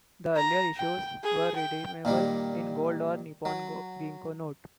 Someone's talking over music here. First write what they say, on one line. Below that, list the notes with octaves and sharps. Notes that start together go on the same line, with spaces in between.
The earlier issues were redeemable "in Gold or Nippon Ginko Note".
A#5
G5
G#4
G5
A#2 D#3 G3
F#3